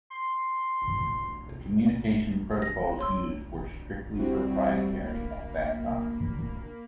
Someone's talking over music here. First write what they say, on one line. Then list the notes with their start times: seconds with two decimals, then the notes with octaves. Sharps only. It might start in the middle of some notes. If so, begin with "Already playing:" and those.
The communication protocols used were strictly proprietary at that time.
0.11 C6
2.62 A#6
2.99 C#5 C6 E6
4.18 G3 C4 E4 F#4
5.02 A#3 B5